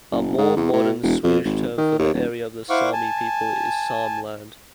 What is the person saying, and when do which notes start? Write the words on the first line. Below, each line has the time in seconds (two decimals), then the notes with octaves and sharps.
A more modern Swedish term for the area of the Sami people is Sameland.
0.12 F#1
0.38 G#2
0.57 E2
0.73 A2
1.03 E1
1.24 F2
1.45 G#1
1.78 D#3
1.99 D#2
2.14 D#1
2.70 E4 C5 F5 F#5 C#6 D6
2.93 G#5 A5